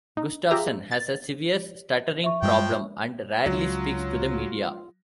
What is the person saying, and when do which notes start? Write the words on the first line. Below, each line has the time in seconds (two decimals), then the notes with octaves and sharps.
Gustafson has a severe stuttering problem and rarely speaks to the media.
0.17 D#4
0.51 F4 G4 G#4 E5 A#5
0.91 A6
2.24 E5 C#6
2.42 G2 F3 G3 G#3 G5
3.46 C#2 F#3 F4